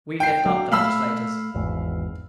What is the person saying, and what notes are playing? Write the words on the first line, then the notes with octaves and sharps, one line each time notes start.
We lift up the legislators.
G5 C7
F#3
A3 F5 B5 E6
G#1 E2